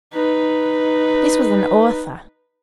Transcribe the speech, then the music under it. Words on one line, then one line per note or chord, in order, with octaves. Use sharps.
This was an author.
D#4 B4